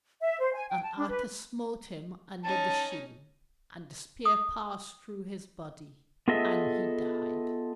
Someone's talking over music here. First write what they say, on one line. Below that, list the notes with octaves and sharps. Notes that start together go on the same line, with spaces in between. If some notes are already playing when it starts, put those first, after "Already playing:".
And Arthur smote him under the shield, and the spear passed through his body, and he died.
E5
C5
G#5
G5
A5
D4
B4
C#4 D#4 A5
D#6
B3 F4 G#4 A4 D#5 E5